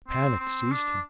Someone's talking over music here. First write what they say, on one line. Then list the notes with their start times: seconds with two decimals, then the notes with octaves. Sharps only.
Panic seized him.
0.08 C4
0.40 C4
0.71 D4